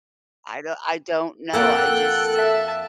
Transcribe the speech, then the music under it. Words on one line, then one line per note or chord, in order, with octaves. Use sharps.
I do I don't know, I just
F2 A#3 A4 F#5 G5 F#6
E5 A5